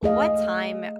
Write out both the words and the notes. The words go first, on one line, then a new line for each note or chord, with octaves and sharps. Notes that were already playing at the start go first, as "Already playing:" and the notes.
what time
A3 G#4 D#5 F5